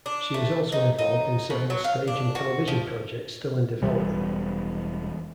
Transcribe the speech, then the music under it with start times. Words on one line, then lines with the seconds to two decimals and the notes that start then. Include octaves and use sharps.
She is also involved in several stage and television projects still in development.
0.06 D4
0.34 A3
0.72 D#4
0.99 D#4
1.50 B2
1.70 F#3
1.84 F5
2.08 D4
2.35 F#4
2.68 F3
3.83 E1 E3 G3